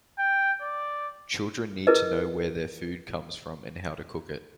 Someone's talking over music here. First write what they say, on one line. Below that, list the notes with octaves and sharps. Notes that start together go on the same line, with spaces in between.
Children need to know where their food comes from and how to cook it.
G5
D5
E4 G#4 A#4 B4 D#5